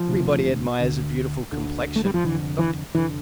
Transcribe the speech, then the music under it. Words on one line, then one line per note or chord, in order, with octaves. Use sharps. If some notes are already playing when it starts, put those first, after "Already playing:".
Everybody Admires a Beautiful Complexion. DR.
Already playing: F3
E1 D2 C3
D2 D3
D2 D3
A3
G3
F3
F1 F2 D3 E3
E3
F1 D3 E3